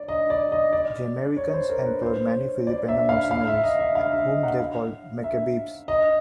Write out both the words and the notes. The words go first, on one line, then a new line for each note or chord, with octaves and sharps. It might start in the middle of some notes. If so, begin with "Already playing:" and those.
The Americans employed many Filipino mercenaries whom they called "Macabebes".
Already playing: C#5 D5
D#5
D5
D#5
D5
C#5
C5
A#4
B4
C5
C#5
D5
E5
F5
F5
E5
D#5
E5
F5
E5
D#5
F#5
F5
E5
D#5